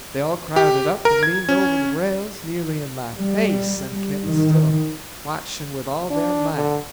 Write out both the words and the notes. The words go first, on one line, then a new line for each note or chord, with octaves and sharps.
They all crowded up and leaned over the rails, nearly in my face, and kept still, watching with all their might.
G4
A#4
G#6
C#4
G3
D#3
D4
D3